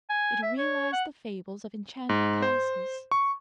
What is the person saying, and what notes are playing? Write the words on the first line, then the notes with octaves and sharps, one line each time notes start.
It realized the fables of enchanted castles.
G#5
E5
C#5
F#5
G#2
C5
C#6